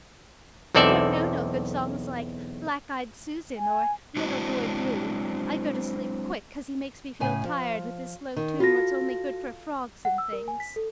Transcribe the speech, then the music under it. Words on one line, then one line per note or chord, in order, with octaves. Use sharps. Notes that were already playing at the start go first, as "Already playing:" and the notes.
He don't know no good songs like 'Black-eyed Susan' or 'Little Boy Blue.' I go to sleep quick 'cause he makes me feel tired with his slow tune what's only good for frogs and things.
B1 E2 C4 A4 D5 E5
G#5
F#3 G#3 C4 D4 E4 F#4
A2 C#3 G#5
F3
D#3
F4 F#4 A4 A#6
F#5
E6
A#4
G#5
B6
A4